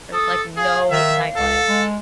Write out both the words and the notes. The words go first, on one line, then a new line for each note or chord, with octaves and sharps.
There's, like, no nightlife.
A4 D#6
G#4 F5
D#3 E5
C#2 A4
G#3